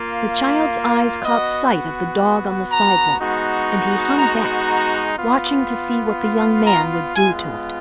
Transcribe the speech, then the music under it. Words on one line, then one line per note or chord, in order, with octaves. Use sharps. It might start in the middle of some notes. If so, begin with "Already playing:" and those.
The child's eyes caught sight of the dog on the sidewalk, and he hung back, watching to see what the young man would do to it.
Already playing: A#3 F4
B3 F#4 D#5
A#5
G#3 B3 D#4 F#4
A#5
A#5
B3 F4
A#5
G#3 B3 F4 G#5